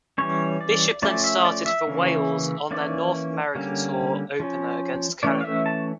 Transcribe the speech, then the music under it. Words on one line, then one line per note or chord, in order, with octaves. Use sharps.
Bishop then started for Wales on their North America tour opener against Canada.
E3 G3 C#4 C#5
D5
F3 A3 C#4 D5
E5
D5
E5
C#3 E3 A#3 C#4
E3 A#3 C#4 D5
D3 G3 A#3 C#4
F3 C#4
E3 A3 C#4 D5
F5
E5
A5